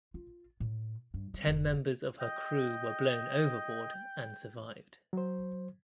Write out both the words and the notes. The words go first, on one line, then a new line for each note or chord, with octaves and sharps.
Ten members of her crew were blown overboard and survived.
F4
A2
G2
G3
F1
D#5 G5
F#3 C5